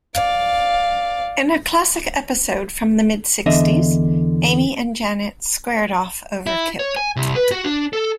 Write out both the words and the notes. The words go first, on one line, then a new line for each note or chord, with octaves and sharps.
In a classic episode from the mid-sixties, Amy and Janet squared off over Kip.
D5 F5
E2 D3 D#5 E5
E4
C#5
G#5
C2
B4
F#4
D4
A4